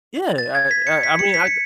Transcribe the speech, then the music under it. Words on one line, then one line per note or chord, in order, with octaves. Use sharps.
Yeah, I I I mean, I
A6
G#6
B6
C#7
B6
C#7
B6
C#7